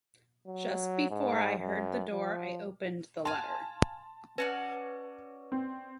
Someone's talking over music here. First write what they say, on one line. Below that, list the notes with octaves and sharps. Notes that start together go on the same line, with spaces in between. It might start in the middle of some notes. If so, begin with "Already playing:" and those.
Just before I heard the door, I opened the letter.
F#3
G#2
F#2
F3
F5 G#5 A5 C6
C#4 F#4 B4 D5
C4